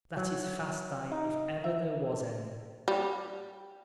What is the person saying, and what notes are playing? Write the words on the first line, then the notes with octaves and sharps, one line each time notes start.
That is fast dye if ever there was any.
F#3
D#4
E5
G3